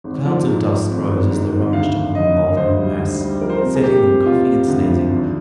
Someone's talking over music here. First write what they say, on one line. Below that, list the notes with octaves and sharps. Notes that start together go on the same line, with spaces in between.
Clouds of dust rose as they rummaged among the mouldering mass, setting them coughing and sneezing.
G#1
F3
G#2
G#2
G#1
G#1
G#2
G#1
D2 F5
D2
D2 D#5
D2
D2 C5
G3
D2
G3
F3 A#4
C5
C3 A#4
G#4
C3 G4
C3
C3 F4
C3
D2
F3
G#1